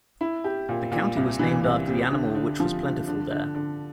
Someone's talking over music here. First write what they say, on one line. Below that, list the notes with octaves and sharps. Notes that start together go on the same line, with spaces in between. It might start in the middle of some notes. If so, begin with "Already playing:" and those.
The county was named after the animal which was plentiful there.
E4
G4
A#2
A#2
C2
E3
C2
C3
D3
D3
F3
D3
D3
D3
D3